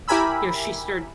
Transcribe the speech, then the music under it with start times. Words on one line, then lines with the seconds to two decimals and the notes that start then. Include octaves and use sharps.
you know, she started
0.08 E4 G4 A#4 G#5 B5 E6